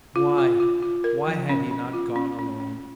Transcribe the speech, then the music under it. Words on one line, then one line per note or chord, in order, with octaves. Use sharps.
Why ... why had he not gone alone?
F4
F4
F4
F4
A#4
F3
C#4
C#4
F4
C#4
C#4
C#4